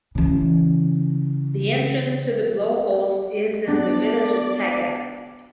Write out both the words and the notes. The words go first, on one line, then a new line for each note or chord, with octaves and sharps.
The entrance to the blowholes is in the village of Taga.
C#3 E3
B3 D4 D5